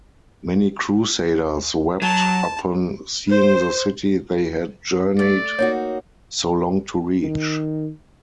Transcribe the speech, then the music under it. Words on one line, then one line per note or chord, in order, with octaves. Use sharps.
Many Crusaders wept upon seeing the city they had journeyed so long to reach.
F#3 A5
C5
A3 D5
A#3 D#4 F#4 C#5
D#3